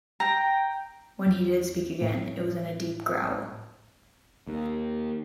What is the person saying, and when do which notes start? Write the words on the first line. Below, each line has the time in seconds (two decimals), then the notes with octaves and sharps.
When he did speak again, it was in a deep growl.
0.20 G5 A#5
1.27 E2
2.01 A2
4.47 D#2